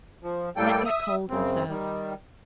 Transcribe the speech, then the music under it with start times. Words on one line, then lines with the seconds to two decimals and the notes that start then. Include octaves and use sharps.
Let get cold and serve.
0.23 F3
0.57 A2 G3 A#3 A4 G5
0.85 E5 D#6
1.29 F#2 C#3 C4
1.69 D#3 G3